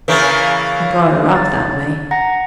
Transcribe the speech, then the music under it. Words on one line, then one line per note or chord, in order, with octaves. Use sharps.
I brought her up that way.
C#3 E3 A#3 A#4 C#6 A6
A6
F#5 A#5 A#6